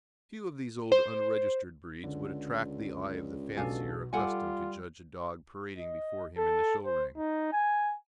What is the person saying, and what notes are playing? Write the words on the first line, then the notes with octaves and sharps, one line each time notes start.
Few of these old unregistered breeds would attract the eye of the fancier accustomed to judge a dog parading before him in the show ring.
C5
C#2 D3
B1 B2 D4 A4 F5 G#5
G3 F4 A4 F#5 G#5 D6
D#5
A4
C5
D#4
G#5